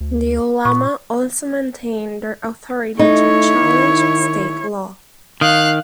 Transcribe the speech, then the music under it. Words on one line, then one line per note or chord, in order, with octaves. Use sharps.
The ulama also maintained their authority to challenge state law.
D2
A#2 C#6
A3 D#4 E4 C#5
D#3
D#3 F5 F#6